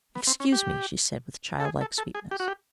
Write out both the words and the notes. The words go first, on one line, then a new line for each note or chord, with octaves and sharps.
"Excuse me," she said, with childlike sweetness.
B3
C4
C#4
G4
A4
G#4
A4
A4
G#4
G4
F#4
G4